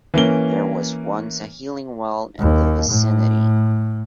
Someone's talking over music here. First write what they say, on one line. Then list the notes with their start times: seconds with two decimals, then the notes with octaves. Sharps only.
There was once a healing well in the vicinity.
0.14 E3 A#3 C#4 G7
2.40 D#2
2.89 A2